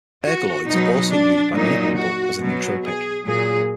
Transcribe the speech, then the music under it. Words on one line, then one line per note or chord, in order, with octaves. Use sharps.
Ergoloids are also used by many people as a nootropic.
F#4
B2 F#3 D#4
D4
A#2 F#3 D#4
F#4
B2 F#3
G#4
A#2 F#3 G#4